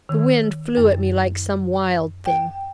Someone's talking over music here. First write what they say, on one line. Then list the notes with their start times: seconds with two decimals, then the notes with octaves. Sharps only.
The wind flew at me like some wild thing.
0.09 D#3
0.77 F#2
2.26 G5